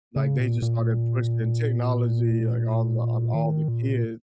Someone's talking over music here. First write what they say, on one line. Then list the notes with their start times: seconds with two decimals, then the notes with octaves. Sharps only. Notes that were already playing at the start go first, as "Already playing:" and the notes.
like, they just started pushing technology, like, on the on all the kids,
0.16 C#3
0.39 A#2
0.62 A#2
3.34 D#3
3.68 A#2